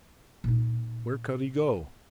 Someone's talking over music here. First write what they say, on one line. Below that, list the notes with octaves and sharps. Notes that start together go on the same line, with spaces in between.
Where could he go?
A#2 D#4